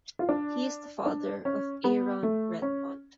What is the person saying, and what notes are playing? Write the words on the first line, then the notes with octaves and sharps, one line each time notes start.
He is the father of Aaron Redmond.
F4
D4
D4
C#4
B3
A3
C#4